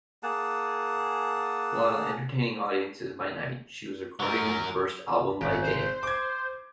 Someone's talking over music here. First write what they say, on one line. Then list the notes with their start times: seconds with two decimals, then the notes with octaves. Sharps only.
While entertaining audiences by night, she was recording her first album by day.
0.23 A#3 G#4 F#5 A5
4.20 F#3 A#4
5.41 G#1
5.62 C5
6.03 D6 G#6